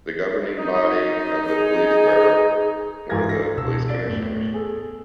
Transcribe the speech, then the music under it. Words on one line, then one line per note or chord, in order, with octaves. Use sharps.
The governing body of a police burgh were the police commissioners.
D#4
G#4
G#2 E3 A#4 F5 G#6 A#6
A#6
E1 E6
D5 A6 D7
E2 A2
G#4 A4